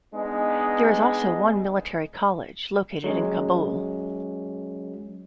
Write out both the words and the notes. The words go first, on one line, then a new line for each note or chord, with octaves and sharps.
There is also one military college, located in Kabul.
G#3 B3 D4 D#4
F#3 G#3 C#4